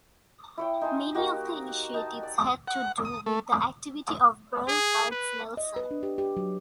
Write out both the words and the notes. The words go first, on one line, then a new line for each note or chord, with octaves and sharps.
Many of the initiatives had to do with the activity of Berl Katznelson.
E4 C#5 G5
D#4 C5 G#5
A#3 D#4 F#4 G4
D#4 A5
D5
F#5
D#6
A3
G#4
B4
D#5
B4
D4
G4
G4
F#3